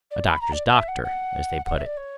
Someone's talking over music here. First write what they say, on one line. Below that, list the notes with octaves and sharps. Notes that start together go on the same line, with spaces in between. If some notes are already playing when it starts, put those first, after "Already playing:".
A doctor's doctor, as they put it.
D5
B5
A#5
D5
E5
F#5
F#5
F#5
E5
D5
C#5